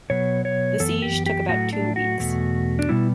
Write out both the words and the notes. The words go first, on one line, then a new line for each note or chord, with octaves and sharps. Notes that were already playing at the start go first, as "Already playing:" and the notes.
The siege took about two weeks.
B2 F#3 B3 C#5
C#5
F#2 E3 B3 A4
G4
G4
A2 F#3 A3 F#4
D4
F#4
E2 B2 A3
D4
B2 G3 B3 E4